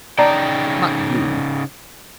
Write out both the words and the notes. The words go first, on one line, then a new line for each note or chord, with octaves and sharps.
Not you!
C#3 D#4 D5 G5 A5 A#5